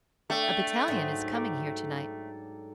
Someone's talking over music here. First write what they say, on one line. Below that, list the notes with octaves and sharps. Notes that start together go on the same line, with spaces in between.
"A battalion is coming here to-night."
A3 D4 A4 G5
G#2 F#3
A4 A#5 D6